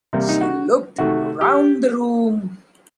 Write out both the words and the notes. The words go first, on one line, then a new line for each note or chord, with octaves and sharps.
She looked round the room.
C3 G3 A#3
D#4
F#4
C3 D#3 A3 F#4
G4